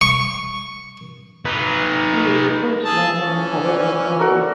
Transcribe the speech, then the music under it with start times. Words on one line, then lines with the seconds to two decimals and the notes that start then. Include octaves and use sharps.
He is the first well known poet in the world.
0.01 C#6
1.45 D#4 B4
2.84 G#4 A4 A5
3.21 E3 C#4
3.65 D5 F#5
4.19 F#4 A4 A#4